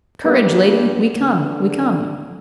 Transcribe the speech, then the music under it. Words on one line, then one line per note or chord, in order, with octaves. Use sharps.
"Courage, lady; we come! we come!"
G2 A#3 B3
D3